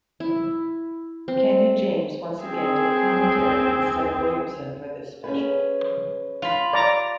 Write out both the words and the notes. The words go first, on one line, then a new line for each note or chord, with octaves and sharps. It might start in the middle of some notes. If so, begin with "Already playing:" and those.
Kenna James once again did commentary instead of Williamson for this special.
E4
C4
C4 G#4
C#4 G#4 B4
F4 B5
D5 A#5